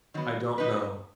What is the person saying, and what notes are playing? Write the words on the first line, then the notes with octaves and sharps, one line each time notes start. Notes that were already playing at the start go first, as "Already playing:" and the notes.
I don't know.
D#3 F#3 B3
F#3 D#4 B4